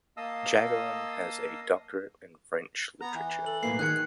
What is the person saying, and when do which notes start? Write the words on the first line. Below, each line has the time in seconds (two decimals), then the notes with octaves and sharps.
Jacqueline has a doctorate in French Literature.
0.17 A#3 D#5 F5 A5 D#6 E6
3.01 B3 A#5
3.15 E3
3.46 A4 F#7
3.63 B1 A2 A#3 B4 C7
3.79 D#3 D#4 G#4 F#6 G#6 C#7